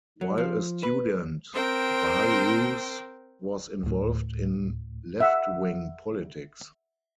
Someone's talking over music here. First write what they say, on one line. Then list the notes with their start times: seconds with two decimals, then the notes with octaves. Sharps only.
While a student, Wahlroos was involved in left-wing politics.
0.21 F#3
0.38 F3
0.83 B4
1.53 C4 A#4 C5 G5
3.83 D2 A2
5.20 E5 F#5